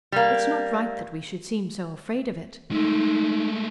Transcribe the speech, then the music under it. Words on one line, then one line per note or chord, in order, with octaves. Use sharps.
It's not right that we should seem so afraid of it.
G3 A#3
G#3 A3 D#4